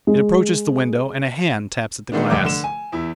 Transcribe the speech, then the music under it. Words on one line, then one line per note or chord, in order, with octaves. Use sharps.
It approaches the window, and a hand taps at the glass.
G#3
D#3 G#3 A3 B3 D4
F1 G2 D3 D6
D3 E7
G#5
E2 E4